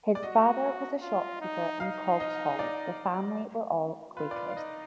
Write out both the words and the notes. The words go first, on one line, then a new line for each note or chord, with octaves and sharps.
His father was a shopkeeper in Coggeshall; the family were all Quakers.
D5
F#4 D#5
F4
D#4
D#4 F5
D#5
D5
F4 B4
D5
B4
F5
D#4 D#5